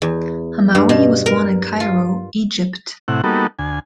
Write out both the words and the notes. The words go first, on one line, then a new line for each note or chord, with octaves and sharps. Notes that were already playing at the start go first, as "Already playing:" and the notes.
Hamaui was born in Cairo, Egypt.
E2
G2
B2
A#4
F4
A2 C3 E4 F#5
G3 A#3 B3 D#4 F#4 A4
D2 G#5